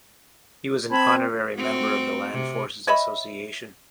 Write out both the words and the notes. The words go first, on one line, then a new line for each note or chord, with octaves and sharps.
He was an honorary member of the Land Forces Association.
C4 A5 B5 G#6
A3 C4 F#4
C3
C#5 D#5 E5 B5